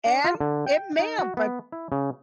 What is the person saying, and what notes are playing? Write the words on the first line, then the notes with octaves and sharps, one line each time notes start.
And it may have, but
D4
F4
D3
G5
D#4
F#4
B3
E4
C#3